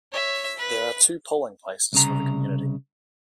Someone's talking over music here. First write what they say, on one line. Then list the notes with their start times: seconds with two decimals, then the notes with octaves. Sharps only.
There are two polling places for the community.
0.12 C#5 E5
0.58 B4
1.93 C2 C#3 A#5